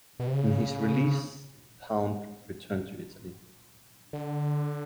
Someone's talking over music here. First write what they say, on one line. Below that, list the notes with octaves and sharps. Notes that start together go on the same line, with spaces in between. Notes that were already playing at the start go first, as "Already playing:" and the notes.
On his release, Pound returned to Italy.
B2
C3
C#3
D3